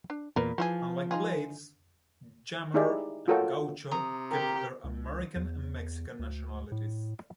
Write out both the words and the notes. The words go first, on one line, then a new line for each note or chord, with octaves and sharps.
Unlike Blades, Jammer and Gaucho kept their American and Mexican nationalities.
D4
E2 A#2 A#4 B4
E3 F3 F4 G#4
D#4 F4 G#4
D#4 E4 G4 G#4 D5 E5
F4 F#4 A4 A#4 C#5 G5
C3 A#5 D#6
G4 A#4 B5
C#2
E2
D2
A2